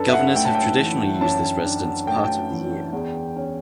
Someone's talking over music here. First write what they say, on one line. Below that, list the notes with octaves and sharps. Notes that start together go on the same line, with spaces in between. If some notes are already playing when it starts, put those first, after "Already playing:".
Governors have traditionally used this residence part of the year.
Already playing: F#2 D4 A4 B4
E5
F#5
A3 G5
A5
G5
E3
F#2 A5
D4
A3 G5
A5
G5
E3
E2
C#4